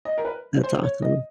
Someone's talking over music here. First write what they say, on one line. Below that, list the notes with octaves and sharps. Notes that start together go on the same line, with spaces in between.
That's awesome.
D#5
A#4
B4
C5
C#5
D#5